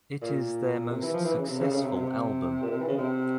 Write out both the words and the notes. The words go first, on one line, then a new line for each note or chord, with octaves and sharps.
It is their most successful album.
A#2
C3
E3
F3
E3
C#3
C3
C#3
C#3
C3
C3
A#2
C3
E3
C#3
C3